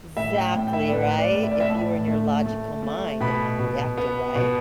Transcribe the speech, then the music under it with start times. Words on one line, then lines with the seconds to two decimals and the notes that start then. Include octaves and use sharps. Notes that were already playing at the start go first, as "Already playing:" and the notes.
'Xactly, right? If you were in your logical mind and not reactive, right?
0.17 A2 E5
0.36 G5
0.55 A2
0.67 G5
0.73 E5
0.88 D5
0.93 A2 B4
1.19 D5
1.31 A2
1.43 E5
1.52 D5
1.60 E5
1.69 A2 A5
2.08 A3
2.46 A3
2.83 A3
3.21 B2 B5
3.59 B2
3.97 B3
4.35 B2